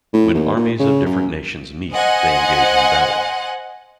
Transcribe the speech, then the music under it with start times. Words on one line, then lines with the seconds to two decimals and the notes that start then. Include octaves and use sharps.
When armies of different nations meet, they engage in battle.
0.13 A2
0.34 D#2
0.56 A#2
0.79 C#3
1.05 F#2
1.93 C5 D#5 F#5 G#5